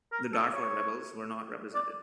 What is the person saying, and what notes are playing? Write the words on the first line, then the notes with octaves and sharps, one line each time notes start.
The Darfur rebels were not represented.
A#4
A4
C#5
D5